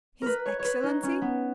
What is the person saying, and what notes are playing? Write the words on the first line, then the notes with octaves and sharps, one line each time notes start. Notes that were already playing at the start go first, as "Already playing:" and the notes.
'His excellency!
A#4 B4
C#5
C#5
B4
D#4
C#4
B3